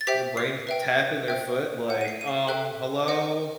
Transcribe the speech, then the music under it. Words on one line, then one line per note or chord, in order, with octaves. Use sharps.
Your brain is tapping their foot like, "Um, hello?"
A6
G4 C5 E5 G5 B6
C7
B4 E5 G5
C5 E5 G5
C5 F#5
D#7
C7
D#7
C7
A4 E5 G5 F#6
C5 D#5 F#5